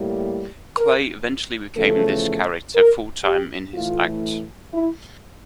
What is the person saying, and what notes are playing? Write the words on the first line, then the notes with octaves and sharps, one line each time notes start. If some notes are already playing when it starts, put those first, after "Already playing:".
Clay eventually became this character full-time in his act.
Already playing: A2 G3 A#3
A#4
E2 C#3 F3 A3 A4
A#4
G4
A2 E3 A3 F4
E4